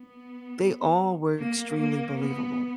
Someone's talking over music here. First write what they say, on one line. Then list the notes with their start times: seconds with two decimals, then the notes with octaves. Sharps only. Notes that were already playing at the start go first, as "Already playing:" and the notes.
they all were extremely believable.
Already playing: B3
1.38 A#3
1.77 A#3
2.16 B3